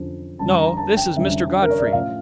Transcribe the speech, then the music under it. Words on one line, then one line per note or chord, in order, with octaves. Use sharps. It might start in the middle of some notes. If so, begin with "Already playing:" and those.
"No; this is Mr. Godfrey."
Already playing: F2 D3 F3 C#4
F2 D3 G3 C#4 A5
A#5
A5
G5
F2 D3 G3 C#4 E5
A#4
C#5
D5
E5
A2 F3 C#4 F5